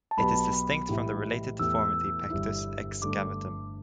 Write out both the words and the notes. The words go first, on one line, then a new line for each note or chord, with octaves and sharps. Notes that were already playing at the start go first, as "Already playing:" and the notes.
It is distinct from the related deformity pectus excavatum.
A5
B1 B2 B3 G4 B5
A2 E3 G3 E4 G4
E2 E3 A3 E4 G4 E6
E6
G1 G2 G3 E4
G2 D3 A3 D4 D6